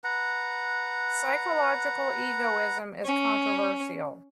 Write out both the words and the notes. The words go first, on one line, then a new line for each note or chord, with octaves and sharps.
Psychological egoism is controversial.
B4 F#5 A#5
C#4